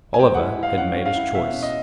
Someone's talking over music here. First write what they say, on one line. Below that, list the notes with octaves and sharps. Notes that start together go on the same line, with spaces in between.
Oliver had made his choice.
G#5
G#3 G5
E4 F#5
E4
F5
C#4 F#5
C#4
F5
E4
B2 E5
C#4
D#5